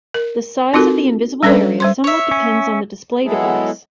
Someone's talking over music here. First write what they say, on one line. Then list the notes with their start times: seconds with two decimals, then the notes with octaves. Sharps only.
The size of the invisible area somewhat depends on the display device.
0.14 A#4
0.74 C4 D#4 F4 F#4 A4 A#4
1.43 G3 C#4 D4 A4 B4 D5
1.80 G3 C5 C6
2.04 C#5 E5
2.31 C#4
3.24 F#3 G#3 B3 E4 G#4 A4